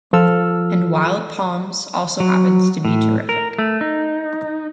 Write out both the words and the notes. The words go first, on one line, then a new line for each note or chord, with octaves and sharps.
And "Wild Palms" also happens to be terrific.
F3 F4 A4 E6 F6
F#3
A2
A#4
A3
D#4